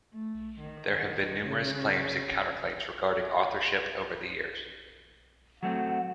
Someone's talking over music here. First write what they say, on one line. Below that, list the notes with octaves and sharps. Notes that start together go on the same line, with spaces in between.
There have been numerous claims and counterclaims regarding authorship over the years.
A3
D#3
C#3
F#3 A3 C4 F#5